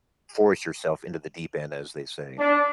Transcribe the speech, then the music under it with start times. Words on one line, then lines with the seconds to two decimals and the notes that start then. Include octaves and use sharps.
force yourself into the deep end, as they say.
2.38 D4